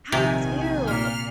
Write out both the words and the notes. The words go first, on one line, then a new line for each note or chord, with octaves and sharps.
I do.
A#1 C3 D#3 G#5
A#2 F6